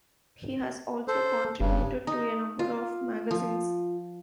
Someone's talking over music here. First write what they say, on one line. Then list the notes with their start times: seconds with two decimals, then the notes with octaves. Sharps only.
He has also contributed to a number of magazines.
1.08 A4 C5
1.60 F#1 G2 C#3
2.07 D#4
2.59 F4
3.31 F3